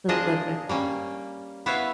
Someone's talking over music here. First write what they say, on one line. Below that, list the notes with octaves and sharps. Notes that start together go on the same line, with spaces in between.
to live with
F3 D4 G#4 A#4 D#5 A5
G3 A#3 C#4
B3 E4 B4 C#5 E5 F5